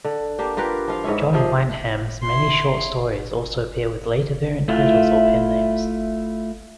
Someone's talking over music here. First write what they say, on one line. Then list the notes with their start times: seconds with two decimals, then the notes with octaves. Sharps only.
John Wyndham's many short stories also appear with later variant titles or pen names.
0.05 D3
0.39 A#3 D4 G4
0.57 F4 G4 A#4 B4
0.88 F3 F4 F5
1.04 G#2 B3 C#4 E4
1.33 C3 F3 G#4
2.22 E4 C6
4.68 A3 E4 F4